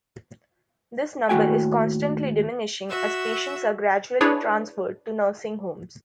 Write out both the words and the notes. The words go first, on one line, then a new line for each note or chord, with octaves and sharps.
This number is constantly diminishing as patients are gradually transferred to nursing homes.
D#2 A2 B3 F#4 G5 G#5
F#4 E5 E6
D4 E4 G#4 B4 C#5 D5